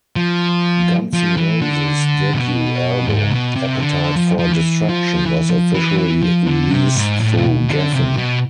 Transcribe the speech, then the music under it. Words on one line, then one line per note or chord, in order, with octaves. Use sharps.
Guns N' Roses' debut album, "Appetite for Destruction", was officially released through Geffen.
F3
F3
E3
D3
B2
G#2
B2
C3
D3
F3
F3
E3
F3
E3
F3
E3
E3
F3
D3
C3
G#2
A2
C3
B2
D3
C3
B2